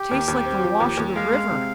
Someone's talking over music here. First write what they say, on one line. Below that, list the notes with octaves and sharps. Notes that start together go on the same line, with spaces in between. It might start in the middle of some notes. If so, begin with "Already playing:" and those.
'Tastes like the wash of the river.'
Already playing: G4
D#2
D#2
C4
F3
D#2
D#2
G#3 F5
G#3
C3